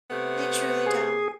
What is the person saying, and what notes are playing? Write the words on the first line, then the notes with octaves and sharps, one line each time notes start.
They truly don't.
C3 A3 B3
G#4